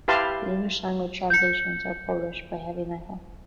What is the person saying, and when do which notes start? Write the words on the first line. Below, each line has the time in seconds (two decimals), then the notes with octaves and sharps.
The English language translations are published by "Heavy Metal".
0.08 E4 G4 B4 F5 A5 C6
1.30 G6 C#7